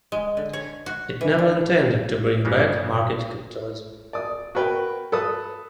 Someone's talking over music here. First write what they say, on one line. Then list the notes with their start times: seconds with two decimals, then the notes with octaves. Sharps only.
It never intended to bring back market capitalism.
0.12 G#3
0.37 D3
0.53 C#5
0.86 F#4
1.21 E3
1.38 D4
2.45 G2 C#3 A#3 B3
4.13 D5 D#6
4.55 F#4 A#4 B4 G5
5.12 A4 B4 D#6